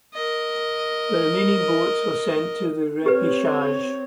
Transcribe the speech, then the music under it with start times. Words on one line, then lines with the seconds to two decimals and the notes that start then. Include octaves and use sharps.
The remaining boats were sent to the repechage.
0.14 A#4 D#5
3.06 C4 G4 B4 C#5